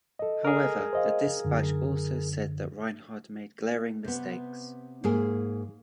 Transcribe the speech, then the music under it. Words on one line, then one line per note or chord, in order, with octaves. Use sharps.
However, the Dispatch also said that Rinehart made glaring mistakes.
A4 D#5
G#4 A#4
C5 D#5 F5
F#2 D3
C3 B3
G#2 A#3 G#4